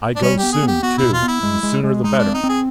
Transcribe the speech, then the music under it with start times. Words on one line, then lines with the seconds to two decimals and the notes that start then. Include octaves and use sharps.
I go soon, too, and the sooner the better.
0.16 D4
0.22 G3 C#4
0.38 B3 G4
0.52 G#4
0.63 B3 G4
0.83 B3 F#4
0.98 E4
1.03 B2
1.13 F4
1.23 B3
1.28 E4
1.43 G#3
1.63 G#3
1.83 G#3
2.03 G#3 D#4
2.18 D4
2.24 C4
2.34 D#4
2.44 C4
2.49 G#4